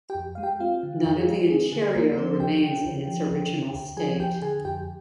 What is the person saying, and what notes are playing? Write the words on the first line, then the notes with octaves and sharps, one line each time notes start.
None of the interior remains in its original state.
G4 G5
F2
G#3 F5
G4 G5
C4 F4 F5
D3
F2
G#4
G#3 G4
C4 G#4
D3 G#4
D#2 A#3 A#4
A#4
F3 C4 C5
D#2 G4 G5
D3
D#2
F3
D#2
D3
D#2
F3 G#4 G#5
D#2 G4 G5
D3 G#4 G#5
F2 G4 G5